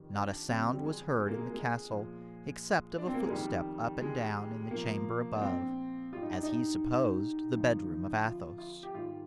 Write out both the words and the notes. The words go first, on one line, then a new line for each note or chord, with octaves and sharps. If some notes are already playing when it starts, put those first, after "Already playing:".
Not a sound was heard in the castle, except of a footstep up and down, in the chamber above--as he supposed, the bedroom of Athos.
Already playing: F2 D#3 G3
D4
F2 D3 G3 C4
G3
G#3
G#3
A#3
G#3
A#3
G#3
A#2 F3
D4
C4
A#3
G#3
F2 D#3 G3
G#3
A#2 F3 A#3
D4
C4
G#2 G3 F4
D#4
D4
D#4
F2 D3 F3
F4
F4
G4
G#2 D#3 G3 F4